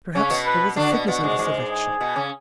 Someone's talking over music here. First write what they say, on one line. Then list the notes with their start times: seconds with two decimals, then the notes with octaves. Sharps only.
Perhaps there was a fitness in the selection.
0.15 C#3 C#4 C#5
0.30 B2 B3
0.46 B4
0.76 D3 D4 F#4
0.92 B2 B3
1.07 B2 B3 F#4
1.23 G#2 G#3
1.39 G#2 G#3
1.70 G#4
2.01 B2 B3
2.16 C#3 C#4